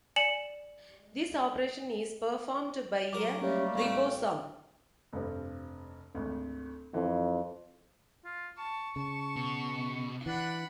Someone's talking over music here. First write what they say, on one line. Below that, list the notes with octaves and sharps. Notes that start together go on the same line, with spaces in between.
This operation is performed by a ribosome.
D5 G#5 C#7 E7 F#7
F#3 A#4 D6
G3 A3 A#3 C#4 G4 C#5
A1 C4 G4 F5 C#6
F1 G2 C4
G#1 D2
F2 E3
F4
A5 C#6
C#3 A5
B2
E3 D4 F#5 B5